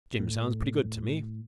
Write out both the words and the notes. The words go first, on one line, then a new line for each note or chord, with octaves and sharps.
Jim sounds pretty good to me.
A2